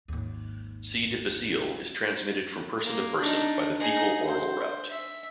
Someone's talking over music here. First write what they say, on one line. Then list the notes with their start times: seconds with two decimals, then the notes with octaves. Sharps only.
"C. difficile" is transmitted from person to person by the fecal-oral route.
0.08 G#1 D#2
2.84 A#3
3.20 D4 D#4
3.80 D#4 G#4
4.24 C5
4.90 E5